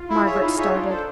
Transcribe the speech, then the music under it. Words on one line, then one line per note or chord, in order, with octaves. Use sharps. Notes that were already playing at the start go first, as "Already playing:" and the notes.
Margaret started.
Already playing: F4
E4
G#4 C#5 E5
D#4 E4
G#4 C#5 E5
D4 F4
A4 C5